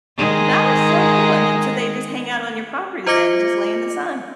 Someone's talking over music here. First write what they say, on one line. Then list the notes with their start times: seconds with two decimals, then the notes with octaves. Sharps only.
That is so cool, and then so they just hang out on your property then, just lay in the sun.
0.17 D#3 G#3 G#4
3.06 F4 C5 D#5 D6 A#6 C#7